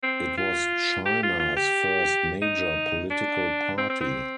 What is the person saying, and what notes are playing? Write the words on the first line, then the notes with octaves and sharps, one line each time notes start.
It was China's first major political party.
C4
F4
G4
F4
F4
G4
D#4
D4
C4
C4
C4